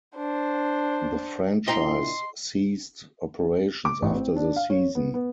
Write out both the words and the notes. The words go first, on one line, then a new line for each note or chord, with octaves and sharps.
The franchise ceased operations after the season.
D4 C5
A#2 D4 E4 D#5 G5 A#5 C6
D6
A1
C4
D4
F5
C#5
B3
B3